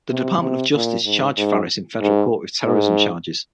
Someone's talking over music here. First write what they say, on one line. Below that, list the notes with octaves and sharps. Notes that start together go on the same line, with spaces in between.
The Department of Justice charged Faris in federal court with terrorism charges.
C3
C3
A#2
G#2
G#2
G#2
G#2